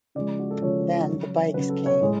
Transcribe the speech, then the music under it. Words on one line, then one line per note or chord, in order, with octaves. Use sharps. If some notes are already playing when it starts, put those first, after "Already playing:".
Then the bikes came.
C#3 F3 G#3 D5
F#4
A4
C#3 F3 G#3 C#5
C#3 F#3
C#3 F#3 B4
A4
C#5
A2 G#3